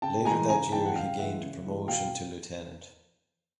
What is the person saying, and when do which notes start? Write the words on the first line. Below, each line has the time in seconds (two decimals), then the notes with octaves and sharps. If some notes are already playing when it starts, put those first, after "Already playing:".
Later that year he gained promotion to lieutenant.
0.02 C#3 G5 A5
0.25 E3 G#3 G#5 A#5
0.49 C#3 G#5 A#5
0.72 E3 G#3 G5 A5
0.86 F#5
0.96 C#3 F5 G5
1.19 E3 G#3 E5 F#5
1.43 C#3
1.66 E3 G#3
1.88 B2 F5 G5